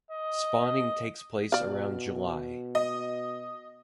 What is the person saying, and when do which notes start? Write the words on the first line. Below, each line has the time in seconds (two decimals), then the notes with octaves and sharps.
Spawning takes place around July.
0.11 D#5
1.52 B2 D5 F5
2.75 D#5